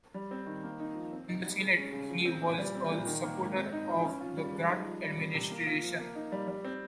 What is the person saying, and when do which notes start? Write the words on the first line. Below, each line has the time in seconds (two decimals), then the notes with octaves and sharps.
In the Senate he was a supporter of the Grant Administration.
0.14 G3
0.31 C4
0.47 D#3
0.63 A#3
0.80 D#4
0.95 F3
1.12 C4
1.28 D#4
1.45 G3
1.61 G#3
1.77 C#4
1.93 C#3
2.10 F3
2.25 C4
2.42 A#2
2.59 G3
2.75 C4
2.90 A#2
3.07 D#3
3.24 A#3
3.39 G#2
3.56 C4
3.72 D#4
3.88 F3
4.04 C#4
4.21 F4
4.37 G3
4.53 G#3
4.69 D#4
4.85 F3
5.02 G3
5.18 C4
5.34 C3
5.50 A#3
5.67 F4
5.83 F3
5.99 A#3
6.15 D#4
6.32 G3
6.48 G3
6.64 C4